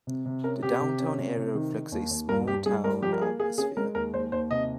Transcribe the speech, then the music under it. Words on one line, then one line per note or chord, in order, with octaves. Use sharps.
The downtown area reflects a small-town atmosphere.
C3
C3
C#4 A#4
C3 G4
C3
C#4
C3
C3
D#3
D#3
D#2
D#2
G2 A#4
G2 G4
G2 G#4
G3 A#4
F3 G4
A#4
A#3 G#4
A#3 G#4
C#4 G#4
G#3 A#4
D#2 A#4
D#2 C5
D#2 C5
C3 D#5